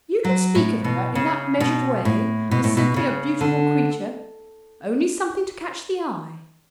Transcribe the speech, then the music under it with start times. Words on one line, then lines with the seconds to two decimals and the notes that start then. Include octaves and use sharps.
You can speak of her in that measured way, as simply a "beautiful creature"--only something to catch the eye.
0.25 F#3
0.55 A2
0.84 B2
1.15 C#3
1.60 B2
2.05 A2
2.51 B2
2.64 A2
2.77 B2
2.96 C#3
3.41 D3